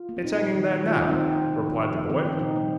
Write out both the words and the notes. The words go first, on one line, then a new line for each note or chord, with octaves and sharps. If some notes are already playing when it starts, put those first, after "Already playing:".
'It's hanging there now,' replied the boy.
Already playing: F4
A#3
C4
A#2 D#4
F3 A#3
D#3
A#3
D#3 F4
A#3 D#4
C4
D#3 D#4
A#3
C3
F3 A#3
C3
F3 A#3
D#3 C4
A#3 D#4
C4
A#2 D#4
G3 A#3